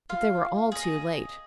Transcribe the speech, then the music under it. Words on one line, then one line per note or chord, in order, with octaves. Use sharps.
But they were all too late.
F4 F5
G#4 D#5